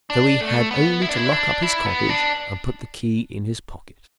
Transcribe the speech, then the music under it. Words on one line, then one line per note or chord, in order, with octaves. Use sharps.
So he had only to lock up his cottage and put the key in his pocket.
D4
A3
B3
E4
D4
E4
D4
E4
B3
D4